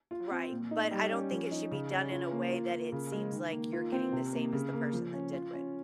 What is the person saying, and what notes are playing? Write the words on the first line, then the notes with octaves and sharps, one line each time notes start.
Right, but I don't think it should be done in a way that it seems like you're getting the same as the person that did win.
F4
C4
A#2
D#4
G3
C#4
F3
D#4
C#3
C#4
F4
A#3
F4
A#3
C#3
G#3
D#3
A#3
F4
C4
C3
A#3
C#3
A#3
F3
C#4
F4
C#4